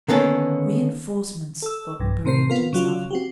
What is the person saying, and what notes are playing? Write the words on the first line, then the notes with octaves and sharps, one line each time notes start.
"Reinforcements!" thought Napoleon to himself.
D3 D#3 A#3 B3 C#4 A4
A4 E6
B1 G2
A2 C3 A#4 C5 C7
B3 F4 A#4
C#3 F#3 F4
C4 F#4 G4